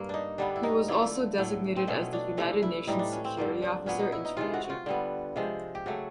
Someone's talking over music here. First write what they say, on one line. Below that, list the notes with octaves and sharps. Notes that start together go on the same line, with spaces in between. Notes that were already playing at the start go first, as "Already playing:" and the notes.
He was also designated as the United Nations Security Officer in Tunisia.
Already playing: G2 A#3
D4 D#4
D3 G3 B3 D4
E4
D#4
D3 F3 A3 E4
A2 F#3 A3
C4
B2 F#3 A3 C#4
D4
C3 E3 A3
E4
A2 E3 G3 D#4
D4
C#4
C4
G2 D3 F3 A#3
D4
A#2 F#3 B3 C#4
D#4
E4
D#4
C3 E3 G#3 F4
F#4
F#4
F4
D3 G3 B3
C3 F3 G#3
G4
C#3 F#3 A3 F#4